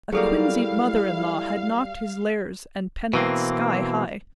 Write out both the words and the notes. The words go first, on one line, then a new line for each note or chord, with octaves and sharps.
A quinzied mother-in-law had knocked his lares and penates sky-high.
F#3 G3 A#3 E4 G#4 A4 F5
B2 E3 A#3 C4